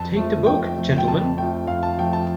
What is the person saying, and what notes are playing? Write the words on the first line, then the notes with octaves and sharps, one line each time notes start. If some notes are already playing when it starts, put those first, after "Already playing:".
Take the book, gentlemen.
Already playing: F2 A5
F3 A3
F2 G5
F3 A3
G5
F2 A5
A3 G5
F3
F2 F5
A5
F3 A3 G5
A5